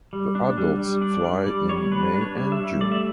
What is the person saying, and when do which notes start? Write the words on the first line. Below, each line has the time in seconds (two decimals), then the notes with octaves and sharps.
The adults fly in May and June.
0.13 G3
0.35 D4
0.58 G3
0.79 G3
1.01 D4 D5
1.24 G3 D5
1.46 G3 D5
1.69 G3 C#5
1.92 D4 B4
2.14 D4
2.21 C#5
2.37 G3
2.52 E5
2.59 G3
2.81 A3 D5
2.92 E5